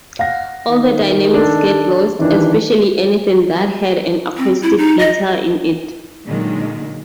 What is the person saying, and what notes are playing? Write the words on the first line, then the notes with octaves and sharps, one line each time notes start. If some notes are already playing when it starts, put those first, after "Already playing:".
All the dynamics get lost, especially anything that had an acoustic guitar in it.
F5 F#5 A#6
D#3
D4 A4
D#3 E3 D4
C4
E4
D#4
D#5
A#2 D3 D#3 F#3 G#3 A#3